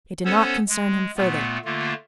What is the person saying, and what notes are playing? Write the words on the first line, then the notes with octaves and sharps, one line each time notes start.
It did not concern him further.
B3 C#4 A4 C5 C#5
G#3
A#2 A3 B3
D3 A3 A#3 F4